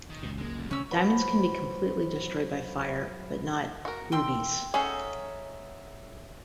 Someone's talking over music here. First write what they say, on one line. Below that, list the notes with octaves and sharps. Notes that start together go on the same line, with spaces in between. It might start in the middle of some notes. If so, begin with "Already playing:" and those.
Diamonds can be completely destroyed by fire, but not rubies.
D#3
C#2 A#2
F#1 C#2 G#3 A#3
D2
C3 C#4 E6
F#3 B4 C5
F#4 A#4
G5 C6 E6
C#4 D#4 G#4 A4 E5 F#5